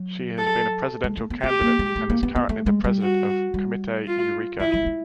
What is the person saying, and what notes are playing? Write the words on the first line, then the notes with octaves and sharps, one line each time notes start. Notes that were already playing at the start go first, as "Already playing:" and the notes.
She has been a presidential candidate and is currently the president of Comité Eureka.
Already playing: F#3
A4
G#3
A3
B3
C4 G4
A#3
G#3
A3
A#3
B3
B3
A3
G#3
G3
F#4
G3
F4
F3 E4
F#3
A3
G#3